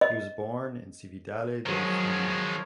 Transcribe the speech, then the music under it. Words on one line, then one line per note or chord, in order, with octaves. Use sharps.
He was born in Cividale del Friuli.
D#5
D#3 F3 F#3 G#3 A#4 C#5